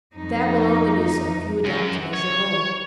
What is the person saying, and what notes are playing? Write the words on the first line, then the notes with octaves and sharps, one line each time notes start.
But that will only be so if you adopt it as your own.
F2 D#4
F#2
C#5